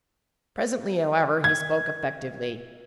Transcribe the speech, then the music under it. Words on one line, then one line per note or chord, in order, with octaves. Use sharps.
Presently, however, he spoke effectively.
G#6